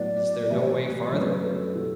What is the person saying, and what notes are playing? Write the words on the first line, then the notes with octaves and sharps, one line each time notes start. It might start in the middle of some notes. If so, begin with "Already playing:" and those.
"Is there no way farther?"
Already playing: A2 F#3 B3 D5
A2 E3 G3 E5
C#5
B4
B4
F#2 D3 F#3 A3 C#4
A4
B2 G3 B3 E4